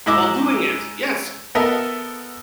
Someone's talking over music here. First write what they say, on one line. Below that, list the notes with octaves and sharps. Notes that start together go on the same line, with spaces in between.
while doing it yes,
G#2 E4 D#5 D6
B3 A4 A#4 D#5 E5